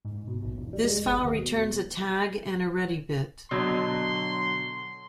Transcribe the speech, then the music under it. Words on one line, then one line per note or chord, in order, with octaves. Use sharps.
This file returns a tag and a ready bit.
G#2
B2
A#1
E1
G3
G#3
G1
D#2
B2
B2 D3 F#3 C6